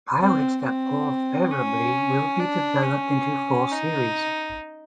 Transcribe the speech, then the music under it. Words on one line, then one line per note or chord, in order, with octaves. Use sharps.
Pilots that poll favourably will be developed into full series.
C4
C4
C#4
D4
C#4
D#4